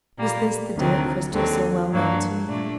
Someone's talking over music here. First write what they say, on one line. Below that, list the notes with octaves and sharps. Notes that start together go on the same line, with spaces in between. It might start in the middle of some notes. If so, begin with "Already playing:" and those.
Was this the dear Cristel so well known to me?
A#2 G3 A#3
D2 C3 D#3 F#3 C4
D#2 D3 F#3 C4
G2 F#3 A#3 D4
A#2 A3 D4